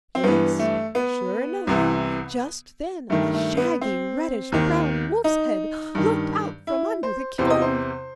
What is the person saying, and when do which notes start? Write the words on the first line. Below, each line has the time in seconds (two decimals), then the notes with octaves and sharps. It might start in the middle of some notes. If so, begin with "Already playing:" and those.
Yes, sure enough, just then a shaggy, reddish-brown wolf's head looked out from under the kiln!
0.15 C4
0.24 G2 E3 B3
0.59 A3
0.95 B3
1.67 C2 C3 E3
3.10 G2 D#3 A3
3.34 A3
3.57 B3
3.81 C4
4.52 D#2 D#3
5.24 D#4
5.95 G2 D#3
6.67 E4
7.03 C5
7.38 E2 C3 E3 C5
7.50 D#5
7.62 C5